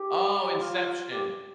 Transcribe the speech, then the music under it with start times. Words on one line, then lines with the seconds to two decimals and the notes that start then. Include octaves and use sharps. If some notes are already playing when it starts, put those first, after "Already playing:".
Oh, Inception.
Already playing: G4
0.43 G4
0.60 F4
1.11 G4